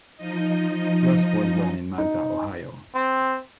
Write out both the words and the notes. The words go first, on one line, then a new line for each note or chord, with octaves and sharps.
Rusk was born in Malta, Ohio.
F3 D#4 D#5
D#4
C4